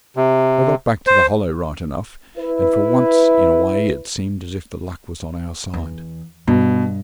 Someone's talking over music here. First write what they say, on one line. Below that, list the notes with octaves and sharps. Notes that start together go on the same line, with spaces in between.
I got back to the Hollow right enough, and for once in a way it seemed as if the luck was on our side.
C3
C5
E4 B4
E2
G2 B2